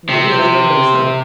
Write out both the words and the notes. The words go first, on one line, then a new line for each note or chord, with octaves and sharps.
D you know, they go during the summer.
C3